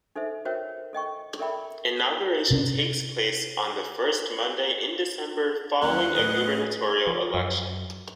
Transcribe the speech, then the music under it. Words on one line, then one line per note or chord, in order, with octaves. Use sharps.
Inauguration takes place on the first Monday in December following a gubernatorial election.
D#4 A4 C5 E5
F#4 A#4 C5 C#5 E5 G5
A4 D#5 G5 C#6
A4 A#4 D5 E5 G5 B5
C3 C#4
D#2 F#3 C#4 F#5
A2 G#4 B4 D#5
F3
F#2